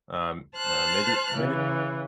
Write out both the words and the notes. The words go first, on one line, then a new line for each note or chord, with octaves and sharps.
um, uh, made it made it
C5 A5 F6 F#6
C#3 E3